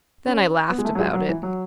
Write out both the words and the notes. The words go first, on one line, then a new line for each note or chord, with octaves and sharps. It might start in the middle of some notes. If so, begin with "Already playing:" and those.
Then I laughed about it.
C#4
B3
G#3
A3
F#3
G#3
F#3
E3
F#3